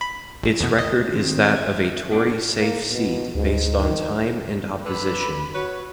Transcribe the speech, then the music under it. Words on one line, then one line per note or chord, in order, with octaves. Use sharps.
Its record is that of a Tory safe seat based on time and opposition.
B5
A#1
E2 B2
D#5
D#3 C4
E5
B3 D4 F#4 G4 G5
A#3
B2
D2 G#2
D#3
D3 B4 B5
F#4 B4 C#5